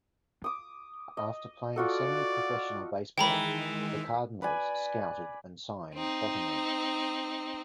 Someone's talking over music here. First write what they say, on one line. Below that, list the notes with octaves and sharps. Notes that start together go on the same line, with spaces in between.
After playing semi-professional baseball, the Cardinals scouted and signed Bottomley.
D6 D#6
D#5
F4 F#4 A4 D5
D#3 E3 G#3 G5 A#5 B5
B4 D5 G#5
C4 D#4